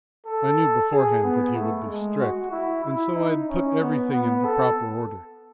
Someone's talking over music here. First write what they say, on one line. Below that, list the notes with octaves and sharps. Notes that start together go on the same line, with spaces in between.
I knew beforehand that he would be strict, and so I had put everything into proper order.
A4
G#4
B3
A3
G#3
F#4
E4
E4
D#4
C#4
B3
B3
A4